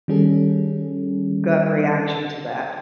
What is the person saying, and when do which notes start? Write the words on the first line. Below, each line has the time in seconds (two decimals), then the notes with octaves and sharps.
gut reaction to that?
0.08 D#3 G3 C#4 G#4 A4